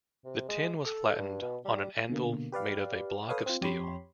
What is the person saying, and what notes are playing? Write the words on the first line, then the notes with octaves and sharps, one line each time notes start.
The tin was flattened on an anvil made of a block of steel.
C3
G#3
A4
G2
B2
G3
B2 D3 A#3
G4 B4 D5 F5
A4 B4 C#5 F5 D#6
C4 F4
F2 G4 C#5 B5 C6